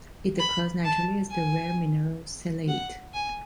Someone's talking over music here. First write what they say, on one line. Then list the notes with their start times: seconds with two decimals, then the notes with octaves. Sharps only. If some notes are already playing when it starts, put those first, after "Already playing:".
It occurs naturally as the rare mineral sellaite.
0.39 B5
0.85 A5
1.30 G#5
2.68 F#5
3.14 G#5